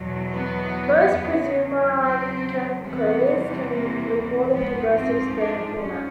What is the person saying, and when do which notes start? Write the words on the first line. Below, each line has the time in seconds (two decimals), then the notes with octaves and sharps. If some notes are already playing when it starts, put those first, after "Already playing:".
Most prosumer camcorders can record in progressive scan formats.
Already playing: E2 B2 F#3
0.35 B3
1.18 E2 C#3 F#3
2.02 C4
2.85 E2 C3 E3 G3 B3
3.69 A#3
4.52 G#2 F3 B3
4.95 C4
5.36 D4
5.78 C#4